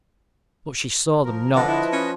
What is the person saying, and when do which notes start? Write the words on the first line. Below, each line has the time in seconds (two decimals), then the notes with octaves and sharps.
But she saw them not.
1.24 F3 A#4
1.56 D3 F3 B4 D#5 A5
1.68 E4
1.93 C#4